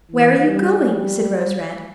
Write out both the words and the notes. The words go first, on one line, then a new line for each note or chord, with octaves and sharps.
"Where are you going?" said Rose-Red.
E3
G3